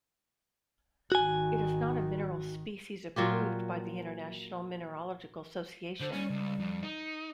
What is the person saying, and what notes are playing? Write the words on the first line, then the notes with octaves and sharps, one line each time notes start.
It is not a mineral species approved by International Mineralogical Association.
G#1 D#3 F#4 G#5
A#2 F#3 F4 G4
D3 C5
G3 C#4
C#2
F2
D#4